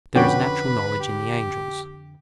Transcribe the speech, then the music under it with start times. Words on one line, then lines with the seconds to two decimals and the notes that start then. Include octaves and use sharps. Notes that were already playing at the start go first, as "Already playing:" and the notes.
But there is natural knowledge in the angels.
0.15 F2 D3 C#4 F#4 B4 G5 B5 D6
1.00 G4